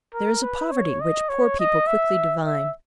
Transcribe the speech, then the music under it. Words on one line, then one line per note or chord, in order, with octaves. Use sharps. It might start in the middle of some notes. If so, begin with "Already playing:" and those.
There is a poverty which poor people quickly divine.
A#4
B4
C#5
D#5
C#5
D#5
E5
E5